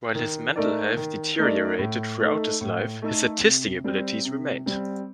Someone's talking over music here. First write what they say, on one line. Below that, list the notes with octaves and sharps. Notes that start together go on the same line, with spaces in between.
While his mental health deteriorated throughout his life, his artistic abilities remained.
D#3
A3 D#4 A#4 D5
D#3
A3 D#4 A#4 D5
A2
A3 D#4 A4
A2
A3 D#4 A4
C3
G3 C4
C3
G3 C4